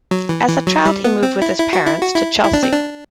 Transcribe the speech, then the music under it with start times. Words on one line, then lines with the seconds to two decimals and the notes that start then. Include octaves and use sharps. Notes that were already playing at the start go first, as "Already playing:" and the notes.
As a child he moved with his parents to Chelsea.
0.11 F#3
0.29 E3
0.48 E3
0.67 F#3
0.85 G3
1.04 B3
1.23 C4
1.42 E4
1.59 E4
1.73 F#4
1.87 E4
2.01 F#4
2.16 E4
2.43 E4
2.53 D4
2.63 C4
2.73 D4